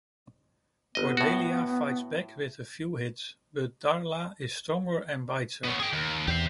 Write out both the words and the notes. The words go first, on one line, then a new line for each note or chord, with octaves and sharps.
Cordelia fights back with a few hits, but Darla is stronger and bites her.
G1 B3 D#5
A2 F#4
B3 C#4
G#4 G5
D#2
E2 G4 C5